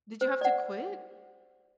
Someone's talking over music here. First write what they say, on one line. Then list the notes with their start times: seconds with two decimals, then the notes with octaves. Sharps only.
Did you have to quit?
0.21 C5
0.41 D5 F#5